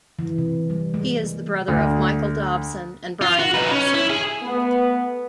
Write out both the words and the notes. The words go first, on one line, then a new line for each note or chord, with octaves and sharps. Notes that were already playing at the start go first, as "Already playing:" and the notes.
He is the brother of Michael Dobson and Brian Dobson.
E3
C3
G3
G#3
A#3
D2
F4
F#4
D#4 B4
C#4
E4
G#4
A3 B3